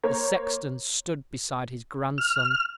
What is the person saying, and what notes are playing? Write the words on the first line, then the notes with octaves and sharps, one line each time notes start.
The sexton stood beside his grandson.
A#3 C5 C#5 A#5
F6